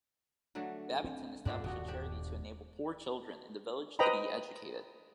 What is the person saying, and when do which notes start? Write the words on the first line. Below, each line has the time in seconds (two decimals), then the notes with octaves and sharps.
Babington established a charity to enable poor children in the village to be educated.
0.55 D3 F#3 A3
1.04 C4
1.45 D2 G2 A#2 D3 A#3 D4
1.64 D#1 G2 B2 F#4
1.88 D4 G4
3.99 B4 C5 D#5 G5 A#5 B5